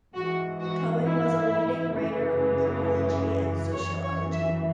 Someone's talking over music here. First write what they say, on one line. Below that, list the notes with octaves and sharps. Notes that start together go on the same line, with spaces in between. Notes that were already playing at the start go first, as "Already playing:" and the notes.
Cohen was a leading writer on Criminology and Sociology.
G#2 E3 F#4
F#4
E4
F#2 C#3 E3
F#2 E3 C#5
C#5
E5